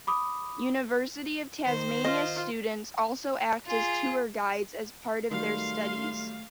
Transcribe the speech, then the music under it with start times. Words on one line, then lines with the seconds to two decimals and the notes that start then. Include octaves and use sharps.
University of Tasmania students also act as tour guides as part of their studies.
0.07 B5 D6 D#6
1.65 D#3 C5
2.04 F4 D#5
3.66 F4 G#4
5.31 D#3 F#3 G3 A3 F5 C6